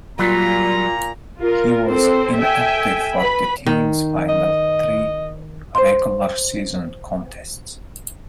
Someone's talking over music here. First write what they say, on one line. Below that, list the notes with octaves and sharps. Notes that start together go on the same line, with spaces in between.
He was inactive for the team's final three regular season contests.
A#2 F#3 G3 F4 A#5
F4 A#4
C4 A4 C5
A4 E5 G5 G#5
B4 B5
D#3
D#5
C5 C6